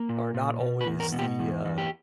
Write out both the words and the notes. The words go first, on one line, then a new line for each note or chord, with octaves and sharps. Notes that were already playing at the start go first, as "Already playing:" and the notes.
are not always the uh
Already playing: A#3
A#2
A#2
B2
B4
E2
A#4
B2
G4
E2
E2
G4